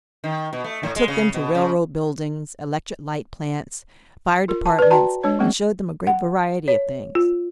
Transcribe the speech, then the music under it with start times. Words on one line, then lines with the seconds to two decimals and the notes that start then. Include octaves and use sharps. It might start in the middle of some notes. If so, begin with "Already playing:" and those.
I took them to railroad buildings, electric-light plants, fire departments, and showed them a great variety of things.
0.24 D#3
0.53 B2
0.64 A3
0.83 A2
0.96 G#3
1.08 C#3
1.34 B2
1.55 C#3
4.48 F4 A#4
4.66 A5
4.79 B4 D5
4.91 F#4 G5 A5 A#5
5.23 G#3 D4 C#5
5.39 G3 G#3 A#3 C4 C#4 G#4
6.07 F#5
6.68 C#5
7.15 F4